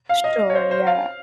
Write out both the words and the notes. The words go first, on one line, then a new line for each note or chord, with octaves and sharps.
Sure, yeah.
F5
D#5
C#5
C5
C5
F5